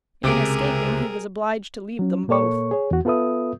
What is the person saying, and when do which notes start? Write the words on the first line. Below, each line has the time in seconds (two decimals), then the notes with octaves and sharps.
In escaping, he was obliged to leave them both.
0.24 C#2 C3 G#4 A#4 D6 D7
1.99 F#3 C#4
2.28 A#2 A#3 A4 C#5 C#6
2.71 G#4 C#5
2.91 E2 F#4
3.05 B3 F4 A4 B4 E5 D#6